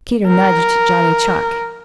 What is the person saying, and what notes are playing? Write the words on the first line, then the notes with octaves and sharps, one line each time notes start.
Peter nudged Johnny Chuck.
A#4